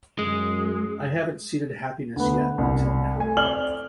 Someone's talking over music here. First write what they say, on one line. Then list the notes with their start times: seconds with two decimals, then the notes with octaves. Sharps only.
I haven’t seeded happiness yet until now.
0.19 F#2 G#3
2.16 D2 B3
2.58 C2
3.16 A3 G#5
3.37 C4 D5 F6 F#7 G7